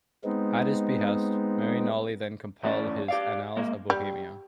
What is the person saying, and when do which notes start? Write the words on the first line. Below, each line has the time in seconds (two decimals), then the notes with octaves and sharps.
At his behest, Marignolli then compiled his "Annals of Bohemia".
0.24 G#3 B3 C4 D#4
2.64 D2 E3 A3 C#4 D5
3.08 G4 D5 F5
3.57 G#3 A#3
3.90 G3